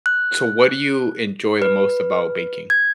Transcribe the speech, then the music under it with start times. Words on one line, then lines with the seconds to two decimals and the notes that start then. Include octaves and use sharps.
So what do you enjoy the most about baking?
0.06 F#6
1.62 B4
2.70 G#6